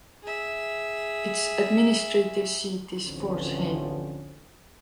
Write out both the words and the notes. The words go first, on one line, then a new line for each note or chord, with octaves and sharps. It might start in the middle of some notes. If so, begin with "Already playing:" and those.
It’s administrative seat is Forchheim.
G#4 E5
A1 D2 D3 F3 C4 C#4